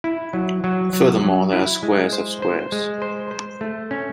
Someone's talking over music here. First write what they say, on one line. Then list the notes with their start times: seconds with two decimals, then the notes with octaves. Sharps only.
Furthermore, they are squares of squares.
0.04 E4
0.33 F#3
0.64 F#3
0.93 F#3
1.23 F#3
1.53 E4
1.83 G#3
2.13 C5
2.42 C5
2.72 G#3
3.02 C5
3.31 C5
3.61 A3
3.91 C#4